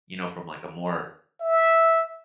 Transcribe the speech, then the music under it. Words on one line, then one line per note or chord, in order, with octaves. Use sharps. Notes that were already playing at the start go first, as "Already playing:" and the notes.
you know, from, like, a more
E5